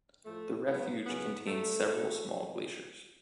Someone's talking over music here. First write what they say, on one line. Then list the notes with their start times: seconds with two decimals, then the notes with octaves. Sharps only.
The refuge contains several small glaciers.
0.25 A2 F3 A3
0.65 G#2 F#3 B3
1.06 F#2 C#3 F#3 B3
1.46 A2 F#3 A3